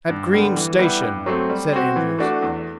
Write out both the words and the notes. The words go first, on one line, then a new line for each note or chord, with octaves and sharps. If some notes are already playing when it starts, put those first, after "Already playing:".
"At Green's Station," said Andrews.
G2
D3 G3 B3
E3
G3 B3 E4 B4
G2
F#3 A3 C4
G3
C4 F#4
E3
A3 D4 F#4
E2